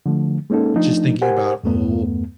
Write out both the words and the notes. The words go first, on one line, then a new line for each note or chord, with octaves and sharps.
just thinking about, oh,
D3 F3 A3
G#3 A#3 C#4 D#4 A4
F3 A3 D4 D#4
G4 A#4 C5 F#5 G#5
E2 G2 A3 B3